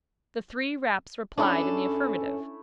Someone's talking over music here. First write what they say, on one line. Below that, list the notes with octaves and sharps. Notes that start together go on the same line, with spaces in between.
The three raps replied in the affirmative.
F#2 A3 C#4 D4 E4 G#4 A4 E5